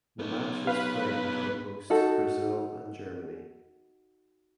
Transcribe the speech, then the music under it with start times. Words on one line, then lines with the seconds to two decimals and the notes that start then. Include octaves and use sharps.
The match was played between hosts Brazil and Germany.
0.19 B3 D#4
0.67 B4 F5
1.90 D#4 F#4 A4